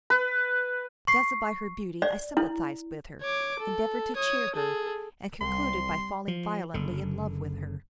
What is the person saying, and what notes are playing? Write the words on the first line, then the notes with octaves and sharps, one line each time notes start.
Dazzled by her beauty, I sympathised with her, endeavoured to cheer her, and concluded by falling violently in love with her.
B4
C#6 C7
D5
E4
C#5 D6
A4
C#5 D#6
G#4 A4
C2 G3 C6
F3
F#1 D3